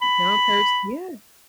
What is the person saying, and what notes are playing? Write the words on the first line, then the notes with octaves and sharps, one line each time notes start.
now I'm perched, yeah.
B5